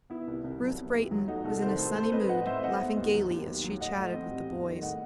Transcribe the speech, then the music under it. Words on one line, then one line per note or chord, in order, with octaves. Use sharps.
Ruth Brayton was in a sunny mood, laughing gayly as she chatted with the boys.
B3 E4
C2
C2
F#3
B3
D#2
F#3
A3 D#4 F#4
C2 F#4 A4
D#3 A4 C5
A2 A4 C5
A2 A4 C5
C4 B4 D#5
C4 D#5 F#5
A2 C5 E5
A3 D#5 F#5
B3
D#2
F#3
D#2
D#2
F#3
A2 D#5 F#5
A2
C4
G3
E2
D#3
A2 D#5 F#5